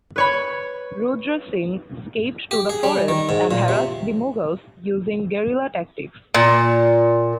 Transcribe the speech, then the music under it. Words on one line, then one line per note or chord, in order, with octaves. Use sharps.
Rudra Singh escaped to the forests and harassed the Mughals using guerilla tactics.
B4 C#5 B5
G4
G#4
G3
D#3
G#2
A#2
C3
A#2